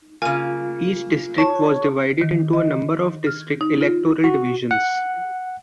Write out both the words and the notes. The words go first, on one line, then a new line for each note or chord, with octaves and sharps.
Each district was divided into a number of District Electoral Divisions.
C#3 A#3 F4 G#5 D#7
C#5 A5
D#3
D#5
F6
D#4
F4
F#4
F#5